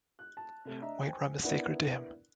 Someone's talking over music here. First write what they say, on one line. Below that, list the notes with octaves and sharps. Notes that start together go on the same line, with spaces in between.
White rum is sacred to him.
F#6
A5
C3 A3
D4 D#5 E5 A#5
C5 G5 G#5
B3 D4 E4 A#4 D5 F#5